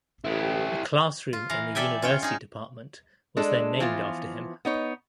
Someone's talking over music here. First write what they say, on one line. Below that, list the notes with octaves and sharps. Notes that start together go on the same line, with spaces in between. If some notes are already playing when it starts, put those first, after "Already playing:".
A classroom in the university department was then named after him.
A1 E4 G4
F4
E3 F5 A#5
A4 D5 E5 G5 G#5
C#4 F4 C#5 G5
D#4 G#4
G#3 D4 A4
E3 F3 B3 F4
B3 D#4 C#5